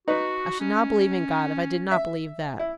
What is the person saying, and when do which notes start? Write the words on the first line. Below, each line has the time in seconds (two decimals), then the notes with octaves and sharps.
I should not believe in God if I did not believe that.
0.08 D#4 F#4 B4
0.60 C#4
1.91 E5
2.59 E4